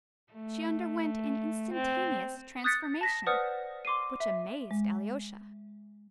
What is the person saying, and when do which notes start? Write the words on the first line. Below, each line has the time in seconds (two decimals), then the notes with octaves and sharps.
She underwent an instantaneous transformation, which amazed Alyosha.
0.33 A3
1.73 C4
2.64 D#6 F#6 G6 A6 B6 C#7
3.01 A5 A#6 B6
3.26 B4 C5 D5 F#5 D#6 F6
3.85 C6 D6 C7 D#7
4.20 E5
4.71 G#3